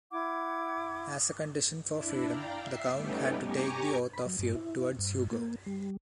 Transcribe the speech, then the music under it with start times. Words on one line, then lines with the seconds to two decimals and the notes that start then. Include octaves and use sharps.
As a condition for freedom, the count had to take the oath of feud towards Hugo.
0.11 E4 F#5 D6 G#6
1.91 D4 E4
2.27 D5 F5 G5 A#5
2.58 E5 C7
2.93 G3 A3 B3 C#4 D#4 G4
3.44 G4 G#5 A#5 C#6 D6
4.13 B5
4.26 F#3
4.39 G2
4.55 E4
4.99 G2
5.31 A#3
5.66 G3